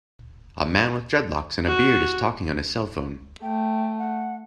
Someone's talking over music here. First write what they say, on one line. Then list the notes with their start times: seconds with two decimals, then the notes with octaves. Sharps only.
A man with dreadlocks and a beard is talking on his cellphone.
1.67 F#4
3.42 A3 G5
3.99 F#5